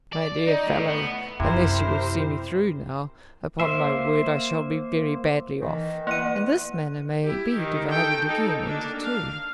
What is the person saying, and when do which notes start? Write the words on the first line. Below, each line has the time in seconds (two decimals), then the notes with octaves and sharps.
"My dear fellow, unless you will see me through now, upon my word I shall be very badly off." And this manner may be divided again into two.
0.13 D5
0.47 D#4
0.67 A2
0.88 B3
1.40 F#2 C3 E4 G4 A#4 C5
3.60 A#3 C5 E5
5.61 D#3 E3
6.07 E3 A#3 F#5 D#7
7.23 E4 G4
7.56 D#3
7.91 A4 G5
8.28 D#4 A4
8.62 A#3 D4
9.04 F5